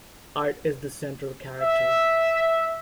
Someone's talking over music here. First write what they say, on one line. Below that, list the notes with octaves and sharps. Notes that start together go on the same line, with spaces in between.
Art is the central character.
E5